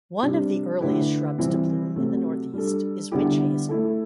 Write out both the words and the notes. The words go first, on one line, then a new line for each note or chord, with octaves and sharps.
One of the earliest shrubs to bloom in the Northeast is witch hazel.
C3 G3 D4
D3 A3 E4 G4 B4
C3 E3 G3 C4 E4
C3 F#3 A3 C4
G3 D4 A4
D3 G3 B3 E4 G4
A3 E4 A4